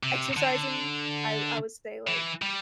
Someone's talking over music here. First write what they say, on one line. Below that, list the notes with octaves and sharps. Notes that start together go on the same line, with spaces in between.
exercising, I I would say, like
C3
D3
E3
G3